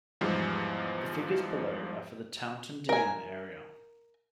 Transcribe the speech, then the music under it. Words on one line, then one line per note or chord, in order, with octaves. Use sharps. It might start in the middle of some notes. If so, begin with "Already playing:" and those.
The figures below are for the Taunton Deane area.
E2 G#2 F3 G3
A#4 G#5